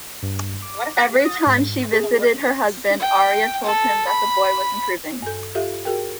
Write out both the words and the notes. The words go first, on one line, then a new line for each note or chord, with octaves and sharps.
Every time she visited her husband, Arria told him that the boy was improving.
G2
D6
D#6
G#2
G#4
G5
A4
B5
G2 A4
F4 G4 A4 E5 F5
F#4 G#4 A#4 G5